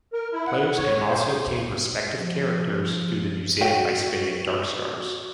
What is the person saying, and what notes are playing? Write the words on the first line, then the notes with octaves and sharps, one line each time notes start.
Players can also obtain respective characters through the Museum by spending Dark Stars.
A#4
E4
F#5
C#5
C5
F3
F#4 G4 F#5